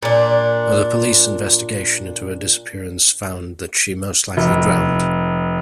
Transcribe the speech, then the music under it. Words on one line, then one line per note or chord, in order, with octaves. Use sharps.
The police investigation into her disappearance found that she most likely drowned.
A#2 D4
F1